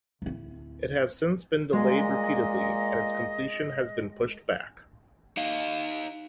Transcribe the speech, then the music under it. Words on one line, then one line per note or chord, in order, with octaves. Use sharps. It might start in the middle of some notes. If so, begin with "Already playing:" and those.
It has since been delayed repeatedly and its completion has been pushed back.
D1 E4
A#2 G#3 D#5
D#4 D#5 F5